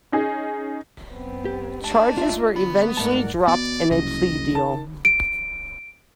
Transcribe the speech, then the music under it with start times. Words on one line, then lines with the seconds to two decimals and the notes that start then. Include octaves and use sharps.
Charges were eventually dropped in a plea deal.
0.12 C#4 D#4 G#4
1.12 F#2 B3 C4
1.45 G4
1.84 A3 D4 D#4 D#5 A5
2.18 F4 E5
2.56 D3 B3
2.97 G#2 A3 A#4 D5 F#5 A5
3.48 B2 B3 D5
3.91 F#1 C2 F3 D#5
4.55 D#3 A5
5.05 D7